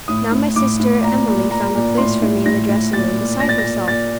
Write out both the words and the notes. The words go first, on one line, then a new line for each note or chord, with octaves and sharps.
Now my sister Emilie found a place for me in the dressing-room, beside herself.
A2 D#6
A2
A2 D6
A2
A#2 A#5
A#2
A#2 A#5
A#2
A2 C6
A2
A2 A#6
A2
A#2 A6
A#2
A#2 A#6
A6
A#6
A#2
A#2 A6